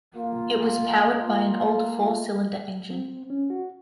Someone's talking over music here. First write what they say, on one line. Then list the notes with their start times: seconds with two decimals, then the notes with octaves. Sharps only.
It was powered by an old four cylinder engine.
0.16 A#3 F4
2.90 C4
3.30 C#4
3.50 F#4